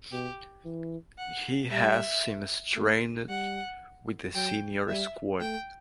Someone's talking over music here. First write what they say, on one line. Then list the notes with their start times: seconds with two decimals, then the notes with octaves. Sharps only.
He has since trained with the senior squad.
0.12 B2 G4
0.65 E3
1.18 F#5
1.70 G3 E5
2.76 A3
3.29 G3 F#5
4.35 F#3 G5
4.88 G3 E5
5.40 A3 G5